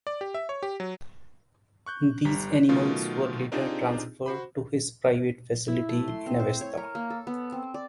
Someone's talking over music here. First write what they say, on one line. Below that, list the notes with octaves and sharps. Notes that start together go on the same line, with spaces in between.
These animals were later transferred to his private facility in Avesta.
D5
G4
E5
C#5
G4
F#3
C#6 F#6 G6
G1 G3 A#5 B6
B2 D#3 F#3 A3 F4
C4 D4 D#4 F4 G4 G#4
F#4 C5 B5
E4
A3
C6
C4
C5
C#5
A#4
A#3
A4
B3
C4
D5